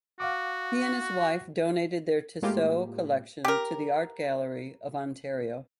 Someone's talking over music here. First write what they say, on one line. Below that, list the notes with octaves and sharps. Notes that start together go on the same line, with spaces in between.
He and his wife donated their Tissot collection to the Art Gallery of Ontario.
F#4 F5 F#5 D6
A2 G#3 A#3 F4 G4
G4 A#4